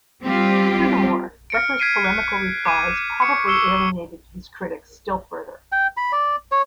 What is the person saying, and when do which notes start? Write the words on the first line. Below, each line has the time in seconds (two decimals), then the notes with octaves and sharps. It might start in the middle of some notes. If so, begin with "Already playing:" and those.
Furthermore Becker's polemical replies probably alienated his critics still further.
0.24 G3 C4 F4 G4
1.50 F6 C#7 D7
1.80 F6 G#6 B6 C7 D7 D#7
2.04 F#6
2.65 D6 G#6 C7 D#7
3.22 C#6 C#7
3.47 C#6 E6 C7 C#7 E7 G7
5.72 G5
5.97 B5
6.12 D5
6.52 C#5